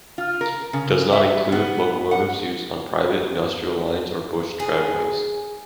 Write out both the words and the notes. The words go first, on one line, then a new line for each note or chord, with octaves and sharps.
It does not include locomotives used on private industrial lines or bush tramways.
F4
A#4
C#3
E5
B3
F#5
G#4